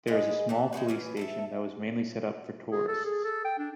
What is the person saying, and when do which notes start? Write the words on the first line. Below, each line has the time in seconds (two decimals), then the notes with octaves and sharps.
There is a small police station that was mainly set up for tourists.
0.07 G#3 G#4 B4 D#5
0.49 E3 E5 A5
0.73 G#3 D#4 F#4 B4
0.88 E3 B3 C#4
1.17 A4 D5 E5
2.72 G#4
2.88 A4
3.05 G#4
3.24 A4
3.45 G5
3.58 D4